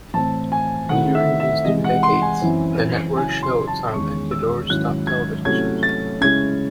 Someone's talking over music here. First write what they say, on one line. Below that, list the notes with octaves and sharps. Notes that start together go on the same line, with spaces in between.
During these two decades the network showed some of Ecuador's top television shows.
A2 E3 C4 A5
G#5
D#3 A3 C4 E4 F#5
E5
E5
C3 E3 G#3 D#5
F#5
C6
G#5
F#2 E3 C4 E4
C#3 F#3 C#4 E4 G#5
C6
A5
E2 D#3 G#3 C#4 C#6
E6
G#2 D#3 F#3 C#4 E4 F#6
G#6
C3 F#3 A3 C#4 E4 G#6
A6
C#3 G#3 C#4 E4 G#6